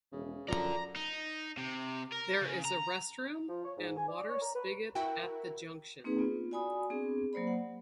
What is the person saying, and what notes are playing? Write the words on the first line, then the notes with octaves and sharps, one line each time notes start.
There is a restroom and water spigot at the junction.
E1 C#3
F#2 F3 A4 D5 A#5
D#4
C3
A#4
C#3
A#5
F3
C#5
G#2
G#5
D5
C#5
A#5
B4
E4 F#4 A#4 G5
A#3 C4 D#4 G#4 B4
B3 F4
F#4 D5 G#5 B5 D#6
B3 C4 D4 G#4
F#3 A#3 C5 D5 B5
F#5